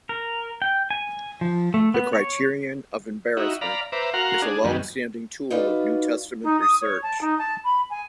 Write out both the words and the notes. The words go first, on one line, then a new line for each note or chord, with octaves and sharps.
The criterion of embarrassment is a long-standing tool of New Testament research.
A#4
G5
G#5
F3
A3
B3
C#5
D#4 E4 F#4
D5 F5 A#5 B5
B4 C5 E5 A#5 D6
F#4 A#4 F5 F#5 A#5 C6
D4 G#4
F#2 D#3 G3 G#3 B3
D#4 F4 F#4 B4 D5
D#4
D#6
C#5
A5
D#4
A5
B5
G#5